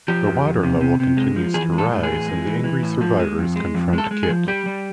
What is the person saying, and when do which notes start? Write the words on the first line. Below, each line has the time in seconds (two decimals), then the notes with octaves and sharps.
The water level continues to rise and the angry survivors confront Kit.
0.08 F3 G4
0.26 F2
0.45 F2
0.63 C3
0.81 C3
1.00 C3
1.17 G#3
1.36 F3
1.54 E3 G#4
1.73 G#3
1.78 A4
1.91 A2
2.03 G#4
2.10 E3
2.28 G#3
2.46 E3
2.64 E3
2.82 A2
3.01 F3
3.20 G#3
3.38 F2
3.56 G#3
3.74 F2
3.93 G#3
3.98 A4
4.11 G#3
4.23 G#4
4.29 F3
4.48 G3 G4
4.66 G3